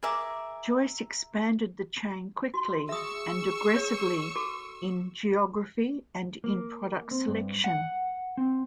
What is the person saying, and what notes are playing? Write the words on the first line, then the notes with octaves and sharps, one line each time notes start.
Joyce expanded the chain quickly and aggressively in geography and in product selection.
G#4 A#4 E5 D6
F#4 C6
G#4 E5 C#6 D#6 E6
C#5
F#4 A4 D6
A#3
C4
G2
F#5
C4